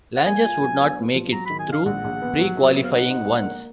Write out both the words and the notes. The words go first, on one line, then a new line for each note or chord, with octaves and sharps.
Langes would not make it through pre-qualifying once.
F#5
A#3 G#5
F4
F#3
B3
B3
F3
F#3 A#5
D#3 B5
G#5
D#3 F5
A#1 F#5
A#1
B3
F#3
F#3
B3
F5
D#4 F#5
D#4
A#3
A#3